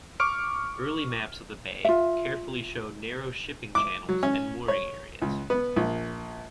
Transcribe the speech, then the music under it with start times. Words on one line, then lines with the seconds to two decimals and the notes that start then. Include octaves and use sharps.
Early maps of the bay carefully show narrow shipping channels and mooring areas.
0.20 C#6 D6 F6 D7
1.85 F4 E5
3.75 D6
4.09 F#3
4.23 C#4
4.68 C#5
5.22 C#2
5.50 B3
5.76 A#1